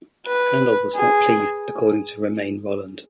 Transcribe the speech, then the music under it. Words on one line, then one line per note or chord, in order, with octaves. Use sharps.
Handel was not pleased, according to Romain Rolland.
B4
G#4